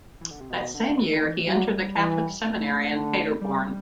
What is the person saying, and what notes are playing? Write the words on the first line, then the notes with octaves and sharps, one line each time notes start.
That same year, he entered the Catholic seminary in Paderborn.
E3
D3
C3
B2
D3
E3
D3
E3
F#3 G3
E3
A3
D3
G3